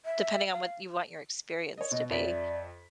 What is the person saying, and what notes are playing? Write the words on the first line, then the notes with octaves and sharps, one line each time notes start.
depending on what you want your experience to be.
E5
F5
C#5 D#5
B2 D#5
F2 D5 E5 B6